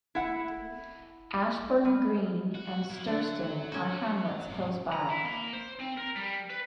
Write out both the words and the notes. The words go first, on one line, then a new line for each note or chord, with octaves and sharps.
Ashbourne Green and Sturston are hamlets close by.
E4 F#5
G3
F#4
E4 A#4
D3 F#3
C#4 F#4
G#2 C3
A#5
E4
A#3
C5
C4
A#4
G3
B4